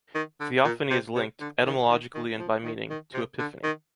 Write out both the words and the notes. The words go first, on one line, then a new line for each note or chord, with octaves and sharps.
Theophany is linked, etymologically and by meaning, to epiphany.
D#3
D3
A#2
C3
C3
D3
D#3
D#3
D#3
F3
D#3
D#3
C3
D3
D#3